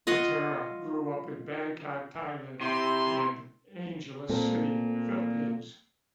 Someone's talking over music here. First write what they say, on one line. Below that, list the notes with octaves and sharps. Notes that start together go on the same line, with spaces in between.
Matera grew up in Bangkok, Thailand, and Angeles City, Philippines.
F4 D#5 F#5 C#6
C3 E4 C6
A#2 A3 C4 A4